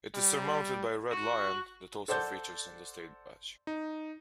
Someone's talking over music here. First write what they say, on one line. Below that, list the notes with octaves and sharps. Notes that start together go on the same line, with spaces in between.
It is surmounted by a red lion that also features on the State badge.
G3
F#4
A4 C5 D5 F#5 A5 G6
D#4